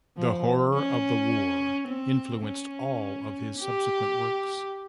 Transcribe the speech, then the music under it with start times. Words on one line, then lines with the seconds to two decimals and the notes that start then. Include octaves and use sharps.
The horror of the war influenced all of his subsequent works.
0.17 F3
0.74 C#4
1.88 C4
2.45 C#4
3.59 G4